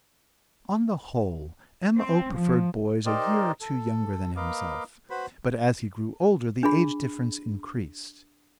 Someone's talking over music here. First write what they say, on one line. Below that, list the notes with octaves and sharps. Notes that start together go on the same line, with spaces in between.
On the whole M.O. preferred boys a year or two younger than himself, but as he grew older the age difference increased.
C4
F3
D#4 G4 A#4 C5 D5 D#5
A4
A#3 B4 D#5 F5 D6
F#4 B4 C5 B5
D4 G#4 B5